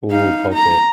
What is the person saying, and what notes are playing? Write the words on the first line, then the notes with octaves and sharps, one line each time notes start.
Ooh, poke,
D#4 F5
A#5